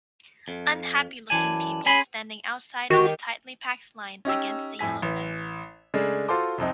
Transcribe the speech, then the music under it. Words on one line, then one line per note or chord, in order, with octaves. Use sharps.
Unhappylooking people standing outside in a tightlypacked line against a yellow fence.
F2
F#2 E3 D4 G#5
C#4 G#4 G#5 B5 C6
D#3 F#4 G4
C#4 D#4 G4 E6
F2 A2 G#5 B6
A1
C#3 G#3 A3 D4
F4 F#4 A4 C5 C6 D6
C2 F2 C4 D#4